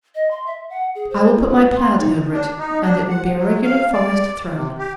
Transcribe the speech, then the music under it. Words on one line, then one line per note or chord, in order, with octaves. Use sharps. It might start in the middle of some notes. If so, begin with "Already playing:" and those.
I will put my plaid over it, and it will be a regular forest throne.'
D#5
C6
E5
F#5
G#4
C5
F4
B4
C6
D#4
D4
D#4
D4
F#5
F#3
F5
D5
C3
G4